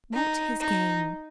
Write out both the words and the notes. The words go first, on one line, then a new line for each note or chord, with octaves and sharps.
What his game?
D#4
D#4